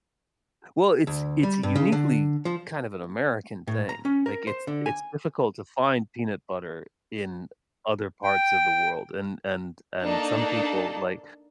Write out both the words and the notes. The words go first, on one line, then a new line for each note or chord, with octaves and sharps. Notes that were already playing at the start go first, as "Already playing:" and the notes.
Well, it’s it’s uniquely kind of an American thing. Like, it’s it’s difficult to find peanut butter in other parts of the world, and and and some people, like,
D2
G3
G2
C#3
D3
F3
A2
A#5
C#4
A#4
C5
D3
G#5
G5
A#3 D4 D#4 A4 A5